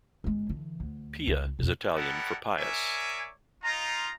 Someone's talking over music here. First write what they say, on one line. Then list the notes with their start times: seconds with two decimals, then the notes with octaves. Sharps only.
Pia is Italian for pious.
0.24 G1 G#3
0.50 D3 E3
0.80 D2
1.28 C#2
1.59 F2 B2
1.95 G3 B3 E4 A4 A#4 F#5
2.58 A#4 C#5 D5 E5 G#5
3.63 D#4 F4 A#5